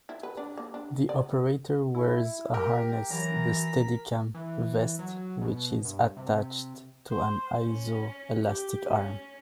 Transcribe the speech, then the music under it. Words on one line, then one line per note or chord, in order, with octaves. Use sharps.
The operator wears a harness-the Steadicam "vest"-which is attached to an iso-elastic arm.
E4
B4
D4
A#3
D4
D5
E4
G4 A#4
E3 F#3 A#5
B6
E3
F#3
B2
G2
C3
C5
C#4
G4
C#4